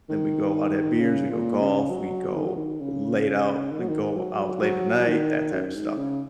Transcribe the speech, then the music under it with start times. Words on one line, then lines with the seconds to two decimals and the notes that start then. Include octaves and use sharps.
then we go out, have beers, we go golf, we go late out and go out late at night, that type of stuff.
0.10 D#3
1.00 C#3
1.30 A#2
1.60 C#3
1.90 F#3
2.36 D#3
2.46 F#3
2.57 D#3
2.81 C#3
3.71 D#3
3.80 F#3
3.89 D#3
4.17 F#3
4.62 F#3
4.99 F#3
5.07 D#3
5.52 F#2
5.67 F#2
5.75 G#2
5.98 C#3